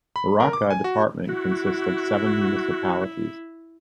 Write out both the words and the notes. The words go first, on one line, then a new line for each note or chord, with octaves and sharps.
Arauca department consists of seven municipalities.
B5
A#4
D6
G#5
F#4
E4 F#4